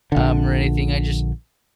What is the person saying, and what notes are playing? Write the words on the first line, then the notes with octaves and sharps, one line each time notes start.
um, or anything, I just
A#1 D3